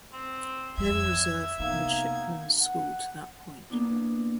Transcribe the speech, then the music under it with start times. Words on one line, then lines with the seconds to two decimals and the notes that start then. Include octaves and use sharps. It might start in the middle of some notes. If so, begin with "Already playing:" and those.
Naval Reserve Midshipmen's School to that point.
0.13 C4
0.78 F2 E5 E6 G#6
1.59 C3 A#3 B3 D#4 G#6
2.60 F#5
3.70 A#3 B3 D4 E4